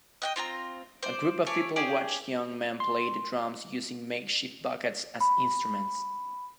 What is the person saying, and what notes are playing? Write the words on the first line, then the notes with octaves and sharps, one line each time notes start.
A group of people watch young men play the drums using makeshift buckets as instruments.
D#5 F#5 G5
C4 F4 G#5 A#5
C5 D5
A3 C#5 D5 G#5
C#4 G4 G#4 D5
C6
B5